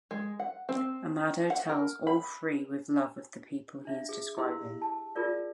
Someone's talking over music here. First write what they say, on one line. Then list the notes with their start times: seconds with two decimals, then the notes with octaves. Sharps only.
Amado tells all three with love of the people he is describing.
0.11 G#3
0.40 F#5
0.69 C4
1.50 F#5
1.69 A#4
2.07 B5
3.85 D4 E5 F5
4.09 G#4
4.37 E4 G4 D#5 F5 C6 E6
4.57 F5
4.82 A5
5.15 F4 G#4 A#4 D5 F5